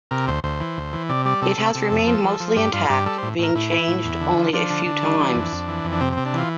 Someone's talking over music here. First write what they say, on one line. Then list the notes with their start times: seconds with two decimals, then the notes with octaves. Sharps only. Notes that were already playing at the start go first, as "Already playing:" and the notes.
It has remained mostly intact, being changed only a few times.
0.11 C3 A#4
0.27 D2 C5
0.44 D2 C5
0.60 E3
0.77 D2
0.93 E3
1.09 C3 D5
1.25 G3 D5
1.42 C3 A4
1.58 C3
1.75 C3
1.91 F2
2.08 F3
2.24 F3
2.40 F3
2.56 G2 G4
2.73 G2 F4
2.90 G2 G4
3.06 G3 A4
3.18 A2 C5
3.39 A2 A#4
3.55 A2 E4
3.72 E3
3.88 A2
4.05 E2
4.21 D3
4.37 F3
4.53 F3 D4
4.70 D3
4.86 D3
5.03 G3
5.19 E3
5.35 F2
5.52 F2
5.68 E3
5.84 F2
5.92 D4
6.01 C3 C4
6.13 C3 C4
6.25 D4
6.34 E3 F4